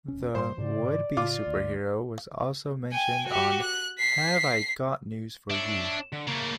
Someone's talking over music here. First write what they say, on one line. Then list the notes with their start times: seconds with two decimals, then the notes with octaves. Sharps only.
The would-be-superhero was also mentioned on "Have I Got News For You".
0.08 E1 C#4
0.35 G#2 G3 A#3 C5 C6
0.58 G#2 C#3 D5
1.17 A2 C#3 F4 D6
1.46 D2
2.92 G5 G#5
3.26 F#4 G4
3.62 F#6
3.98 B6 C7
5.51 D4 C#5 E5
6.12 D3
6.28 C#3 A3 A#3